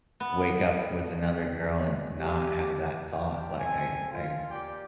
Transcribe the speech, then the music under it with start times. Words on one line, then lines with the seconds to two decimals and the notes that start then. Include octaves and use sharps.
wake up with another girl and not have that thought- like, I I
0.20 B3
2.18 G4
3.13 D4 F4 G4 G5
3.58 C4 A4 G#5
4.11 F4
4.50 A#3 G4 D5 G5